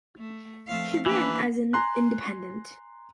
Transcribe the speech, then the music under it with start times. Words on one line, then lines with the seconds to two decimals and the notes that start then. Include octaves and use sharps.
He ran as an independent.
0.18 A3
0.67 F3 A3 C4 F5
1.06 E3 A#3 D4 B4
1.73 G#5 A#5 C6 F#6